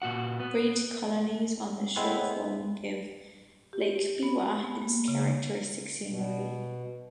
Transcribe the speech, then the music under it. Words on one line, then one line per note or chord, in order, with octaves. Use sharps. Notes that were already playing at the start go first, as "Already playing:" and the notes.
Reed colonies on the shore form give Lake Biwa its characteristic scenery.
A#2 F#4 F#5
B3
G#3 B3 C4 E4
G4
B3
B3
A#3
C#3
B2